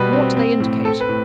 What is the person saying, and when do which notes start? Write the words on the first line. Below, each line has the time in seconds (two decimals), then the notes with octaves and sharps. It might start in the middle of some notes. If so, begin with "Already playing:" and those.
"And what do they indicate?"
Already playing: B2 G3 B4
0.13 C4
0.37 C4
0.60 A2
0.84 C4 A4
1.00 B4
1.09 A2